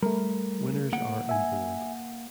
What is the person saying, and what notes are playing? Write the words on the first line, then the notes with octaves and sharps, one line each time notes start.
Winners are in bold.
G3 A3 A#4
A#3 F#5 G5
E5 G#5